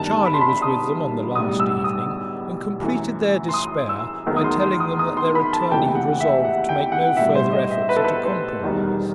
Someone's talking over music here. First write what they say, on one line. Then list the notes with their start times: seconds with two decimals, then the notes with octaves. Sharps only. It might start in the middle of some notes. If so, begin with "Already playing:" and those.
Charley was with them on the last evening, and completed their despair by telling them that their attorney had resolved to make no further efforts at a compromise.
Already playing: G1 G2 D#3 A5
0.26 B5
0.34 C6
0.41 B5
0.62 D#6
1.35 B1 A2 G3 D#6
1.60 E6
1.84 D#6
2.81 F#2 E3 A3
3.49 C6
3.54 D#6
3.89 E6
4.26 E2 D#3 F#3 A3
4.37 D#6
4.44 C6
4.63 C6
4.80 D#6
4.99 D#6
5.17 C6
5.35 B5
5.53 A5
5.71 F#1 E2 C3 E3 A3 G5
5.95 F#5
6.20 E5
6.45 F#5
6.69 G5
6.92 F#5
7.16 B1 A2 G3 E5
7.35 C5
7.53 D#5
7.71 E5
7.89 B4
7.96 A4
8.04 B4
8.25 C5
8.61 E1 E2 D#3 G3